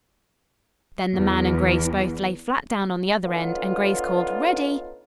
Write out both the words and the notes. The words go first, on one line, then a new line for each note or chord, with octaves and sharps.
Then the man and Grace both lay flat down on the other end and Grace called "ready."
E2
D3 B3 C#4 D#4 F4